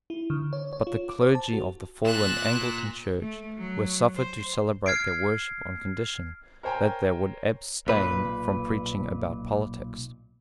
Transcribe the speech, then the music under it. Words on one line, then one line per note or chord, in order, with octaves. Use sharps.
But the clergy of the fallen Anglican Church were suffered to celebrate their worship on condition that they would abstain from preaching about politics.
E4
D3
C#5
C#5
F4
D6
C5
A5
F#4
A#2 F#6 E7
A3
F#3
C5
F6 G#6 C7 D7
A#4 C5 C#5 G5 G#5 A#5
B1 A#2 B4